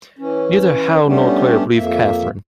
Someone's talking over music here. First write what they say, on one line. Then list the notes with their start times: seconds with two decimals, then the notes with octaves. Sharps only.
Neither Hal nor Claire believe Catherine.
0.19 E3 C#4
1.06 G3 A3 B3 C#4 D4 G4
1.74 F2 A#3 E5